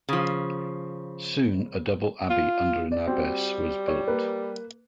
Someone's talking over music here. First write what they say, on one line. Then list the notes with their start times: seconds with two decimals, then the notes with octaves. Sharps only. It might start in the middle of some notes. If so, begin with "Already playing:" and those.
Soon a double abbey under an Abbess was built.
0.09 C#3 F3
2.30 F4
2.92 D5
3.07 G3 C4 F#4
3.88 C#5
4.08 A#3 B4